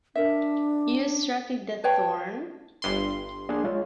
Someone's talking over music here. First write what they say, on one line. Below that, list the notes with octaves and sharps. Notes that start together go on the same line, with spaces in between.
You extracted the thorn?
D4 A#4 E5
B4 C#5 G5 A5
G1 G2 C6
A#3 D4 G#4
G#3 F4 C#5